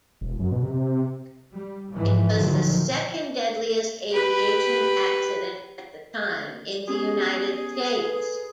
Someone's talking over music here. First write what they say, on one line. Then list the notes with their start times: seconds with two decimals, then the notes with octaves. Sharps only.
It was the second-deadliest aviation accident at the time in the United States.
0.21 E1
0.39 F#2
0.52 B2
0.63 C3
1.55 G3
1.93 G#2 E3 F3
2.35 D2 A#2 D3 D#3 F3 F#3
4.11 G4 B4
6.88 B3 C#4 G4 G#4
8.01 A4 B4